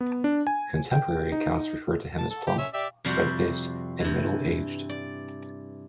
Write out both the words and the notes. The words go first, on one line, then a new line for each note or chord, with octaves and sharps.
Contemporary accounts refer to him as plump, red-faced and middle aged.
B3
D4
G#5
G5
D#4
A5
A4
G4
C#4 E5
G4 D5 E5
F2 C3 G3 F#4 D5
G2 E3
D5